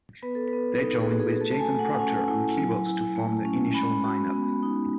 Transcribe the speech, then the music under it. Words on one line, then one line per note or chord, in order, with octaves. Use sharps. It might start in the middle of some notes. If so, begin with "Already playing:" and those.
They joined with Jason Proctor on keyboards to form the initial lineup.
B3 B4
A4
B4
B3
D#4 A4
G#4
F#4
G#4
A3 A4
A5
G#5
A3
F#5
C#4 G#5
E4
F#3
E4
A3
C#4
G#3 B5
F#4
B3
D#4